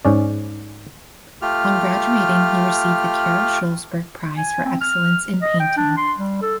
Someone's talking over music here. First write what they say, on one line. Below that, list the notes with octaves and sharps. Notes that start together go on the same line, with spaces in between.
On graduating he received the Carol Schlosberg Prize for Excellence in Painting.
G#2 C#4 D5
A3 F4 G4 F6
G#5
C4
F6
D#5
G5
D4
C6
G3
A4